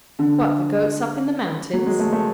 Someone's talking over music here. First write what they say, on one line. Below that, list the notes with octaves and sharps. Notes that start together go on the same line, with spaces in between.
"What, the goats up in the mountains?"
D3
F#3
G#3
A3
A3